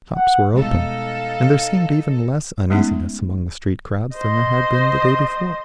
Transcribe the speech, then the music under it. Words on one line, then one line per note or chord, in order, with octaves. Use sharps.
Shops were open, and there seemed even less uneasiness among the street crowds than there had been the day before.
F#5
B2 G3 G#3 D#4 A4 F5
G#3 A3 B3 C#4 D#4
C5 D#5